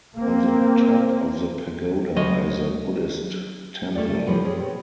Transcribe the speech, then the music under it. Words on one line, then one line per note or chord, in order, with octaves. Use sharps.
On the top of the pagoda is a Buddhist temple.
A#3 C4
F#3 D#5
G3 A3 F4 D5
F#2 A2 C3 E3 F3 G3
C4 C#4 G4 G#4 C5
B2